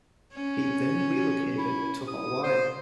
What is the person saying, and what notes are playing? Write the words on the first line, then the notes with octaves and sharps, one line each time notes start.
He then relocated to Hawaii.
C#4
E4
D#6
C5